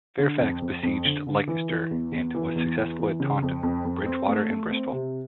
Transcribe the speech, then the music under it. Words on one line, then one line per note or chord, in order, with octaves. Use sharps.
Fairfax besieged Leicester, and was successful at Taunton, Bridgwater and Bristol.
D3
F2
F2
F2
D3
D3
E3
E3
E2
E2
E3
E2
E3
E3
C#3
F2
F2
F2
C4
A3
A3
C4
C3